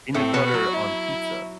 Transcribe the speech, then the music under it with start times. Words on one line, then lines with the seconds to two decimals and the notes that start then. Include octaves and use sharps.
Peanut butter on pizza?
0.14 A2 A3 C4
0.33 B2 B3
0.44 F#4
0.54 F#3
0.73 E4